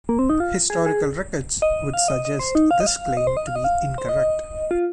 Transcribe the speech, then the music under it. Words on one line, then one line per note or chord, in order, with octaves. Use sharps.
Historical records would suggest this claim to be incorrect.
A#3
C4
D#4
F4
G#4
G#4
D#5
F5
D#5
D#5
C5
D#4
F5
D#5
F5
D#5
C5
D#5
F5
D#5
F5
C5
D#5
F4